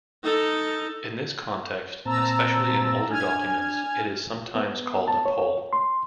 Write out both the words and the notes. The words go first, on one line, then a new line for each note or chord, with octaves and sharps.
In this context, especially in older documents, it is sometimes called a pole.
D#4 A4
A#2 C4 A5 A#5 E6
D4 G#5 F6 G#6
B3
A5
C#5
C6